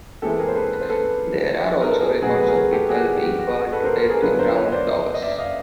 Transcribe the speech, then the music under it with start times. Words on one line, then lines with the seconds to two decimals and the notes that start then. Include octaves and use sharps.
There are also records of people being burned to death in round towers.
0.22 E3 G#3 C4 E4 G4 A4
0.39 G#4 A#4
0.48 C5
0.55 A4 B4
0.73 B4
0.81 C5
0.90 A4 B4
1.72 B4
1.82 A#4
1.91 A4
1.99 G#4 A#4
2.22 B2 F#3 A3 C4 F#4 G#4
2.40 B4
2.48 G#4 A#4
2.72 G4 A4
2.89 F#4 G#4
2.99 G4
3.06 F#4 G#4
3.22 G4
3.39 F#4
3.72 A4 B4
3.85 A#4 C5
3.97 A#4 C5
4.10 G#4 A#4
4.22 D3 F#3 B3 D4 F4 A4 B4
4.39 A#4 C5
4.56 B4 C#5
4.64 D#5
4.72 C5 D5
5.14 D#5
5.22 D5 E5
5.38 D#5 F5